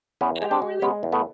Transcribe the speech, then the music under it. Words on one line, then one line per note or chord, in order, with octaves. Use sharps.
I don't really
E2 B3 C#4
G#3
C4 D4
G#3
G#3 B3 C#4
E2
A3 B3